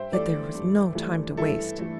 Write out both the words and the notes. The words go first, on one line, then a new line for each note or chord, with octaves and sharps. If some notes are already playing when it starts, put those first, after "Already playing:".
Yet there was no time to waste.
Already playing: G2 C5 E5 G5
E3 A3 A4 D5
G2
E3 A3
G2 E4 A4
E3 A3